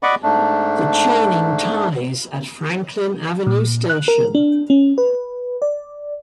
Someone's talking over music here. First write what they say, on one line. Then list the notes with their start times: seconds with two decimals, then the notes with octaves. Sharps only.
The chaining "ties" at Franklin Avenue station.
0.03 D5 D#5 F#5 B5 C#6 D6
0.23 G#2 A3 D4
3.47 A#2
3.89 F#6
4.08 A#4
4.35 D4
4.70 C#4
4.98 B4
5.62 D5